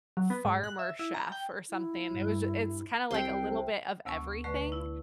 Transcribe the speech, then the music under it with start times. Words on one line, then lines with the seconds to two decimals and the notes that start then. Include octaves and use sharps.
farmer chef or something. It was j it's kinda like a little bit of everything.
0.17 F#3
0.30 B3
0.45 G#2
0.64 F#6
0.79 E5
0.99 E4
1.14 A#5
1.32 G5
1.70 E4
2.11 G2
3.11 C2 C3 G5 C6
4.05 D2 C3 B3 A5 C#6
4.44 D2 D3 A3 B4 C#6
4.72 E4